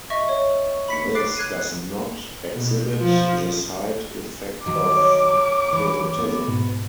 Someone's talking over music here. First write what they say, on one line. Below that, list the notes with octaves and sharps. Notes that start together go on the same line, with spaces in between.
This does not exhibit the side effect of hirsutism.
D#5 E5 C#6
C#5
C#6
B5 B6 C#7
D6 F#6 A6 C7 D7
F#6 G#6 C7 D#7
B2
F3
D#3 F#3 D6
C#5
D#3
E3
B3 F#4
G#2 B2